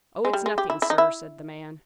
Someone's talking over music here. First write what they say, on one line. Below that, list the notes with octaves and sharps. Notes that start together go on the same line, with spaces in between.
"Oh, it's nothing, sir," said the man.
G#3
G3
G#3
G4
E4
E4
D#4
E4